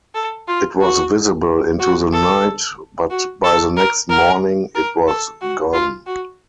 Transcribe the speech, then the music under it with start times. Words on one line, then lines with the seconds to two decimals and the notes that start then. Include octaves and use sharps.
It was visible into the night, but by the next morning it was gone.
0.15 A4
0.48 F4
0.81 F#4
1.80 F#4
2.13 A4
3.10 F#4
3.44 A4
3.77 A#4
4.10 A#4
4.75 A#4
5.08 A4
5.41 F#4
5.73 F4
6.06 F#4